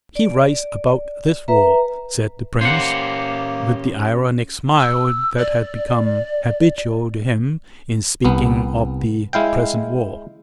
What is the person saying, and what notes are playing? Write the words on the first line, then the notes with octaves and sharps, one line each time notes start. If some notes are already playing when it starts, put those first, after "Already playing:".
"He writes about this war," said the prince, with the ironic smile that had become habitual to him in speaking of the present war.
D5
B4 E5 A#5
A#3 C#4 G4 C5 F#5
E6
D5
C2 B3
G#3 E4 F5 G5